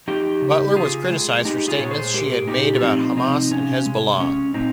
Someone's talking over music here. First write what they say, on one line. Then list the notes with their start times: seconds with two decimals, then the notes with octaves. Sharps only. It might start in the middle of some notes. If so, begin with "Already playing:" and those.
Butler was criticized for statements she had made about Hamas and Hezbollah.
0.08 F3 D#4 G4
0.42 C#3
0.76 C#3 F4 G#4
1.10 G#3
1.45 G#3 D#4 G4
1.68 F4 G#4
1.79 A#2 C#5
1.91 G#4 C5
2.14 G#3 G4 A#4
2.48 A#2 D#4 G4
2.75 F4
2.82 F3 C4 D#4
3.17 C3 C4 D#4
3.51 C3 C#4
3.86 G#3
4.20 G#3 C#4
4.54 A#2 C4 D#4